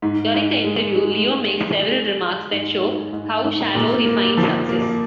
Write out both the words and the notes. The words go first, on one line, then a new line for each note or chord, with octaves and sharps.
During the interview Leo makes several remarks that show how shallow he finds success.
G#2
G#2
G#3
G#3
G#3
G#3
G#3
G#3
G#2
G#2
G#2
G#2
A#2
A#3
F3
A#3